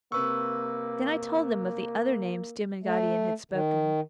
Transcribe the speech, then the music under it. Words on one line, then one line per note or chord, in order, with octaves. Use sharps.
Then I told them of the other name Stumm and Gaudian had spoken.
C3 A#3 B4 C#6 E6
A3
D#3